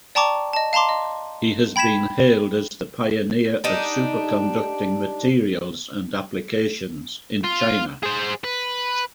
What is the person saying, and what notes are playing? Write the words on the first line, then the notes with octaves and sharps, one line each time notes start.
He has been hailed as "the pioneer of superconducting materials and applications in China".
D5 G5 A5 A#5 C#6 D6
D#5 A5
F5 A5 A#5 C6 D6
D#5
G5 B5 G#6 B6 E7
D4 D#4 G4
F4
G#4 C5
B4